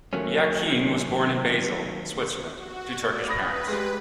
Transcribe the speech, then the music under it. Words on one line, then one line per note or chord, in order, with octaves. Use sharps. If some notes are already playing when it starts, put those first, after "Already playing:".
Yakin was born in Basel, Switzerland, to Turkish parents.
D#3 F#3 A3 A#3 C#4
F#4
D5
B4 B5 D#6 A#6
G#3 G4